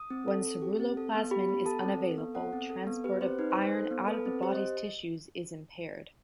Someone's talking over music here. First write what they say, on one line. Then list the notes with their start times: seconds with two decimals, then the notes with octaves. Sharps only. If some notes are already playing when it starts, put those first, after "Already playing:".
When ceruloplasmin is unavailable, transport of iron out of the body's tissues is impaired.
Already playing: D#6
0.10 C4
0.28 A4
0.45 C4
0.62 G4
0.80 C4
0.97 A4
1.15 B3
1.31 G4 B5
1.49 B3 B5
1.66 A4 A5
1.83 C4
2.01 A4
2.18 B3
2.35 A4 F#5
2.53 C4
2.70 A4
2.87 B3
3.04 G4 B4
3.21 C4 C5
3.39 D#4 B4
3.51 C5
3.56 D#4
3.62 C5
3.74 A4
3.91 B3
4.08 A4 B4
4.26 C4
4.42 G4 C5
4.54 D#5